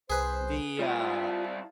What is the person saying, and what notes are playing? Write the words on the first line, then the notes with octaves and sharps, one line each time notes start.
the, uh,
C2 G#4 B4 C5
G3 A3 E4 F4 G5
F5 A5